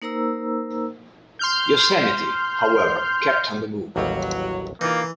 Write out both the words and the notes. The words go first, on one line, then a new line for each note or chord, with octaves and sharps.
"Yosemite", however, kept on the move.
A#3 D#4 A#4 C5 A#5 E6
C6 F6 G6
A1 D#2 F#3 G3
E3 A#3 D#4 F4